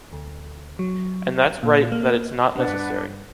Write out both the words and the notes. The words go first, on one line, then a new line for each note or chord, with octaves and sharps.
And that’s right that it’s not necessary.
D2
F#3
A#2
A#3
B2 D4 B4 F#5
G2